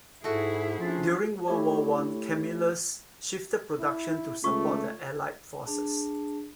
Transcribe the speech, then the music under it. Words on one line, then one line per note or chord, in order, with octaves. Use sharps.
During World War One, Camillus shifted production to support the Allied forces.
G#2 A3 E4 F#4 G#4
F3 C#4 D4 F4
A3 E4 G4 C#5
E4
C#2 A3 F4 C#6 D#6
D4 G#4 A5